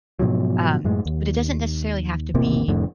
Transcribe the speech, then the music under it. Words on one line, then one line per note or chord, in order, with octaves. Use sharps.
um, but, it doesn't necessarily have to be,
G#2 B2 F3 F#3
F#2 A2 G#3
D#2
E1 A1 C3 A#3
F1 F2 A2 D3